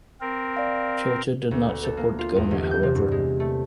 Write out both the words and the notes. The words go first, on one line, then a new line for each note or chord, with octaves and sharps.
Churchill did not support the government, however.
C4 A#4
D5 F5
D2
B3
A4
A#3
F4
E2
G1
G6
C3
G2
G#3
A3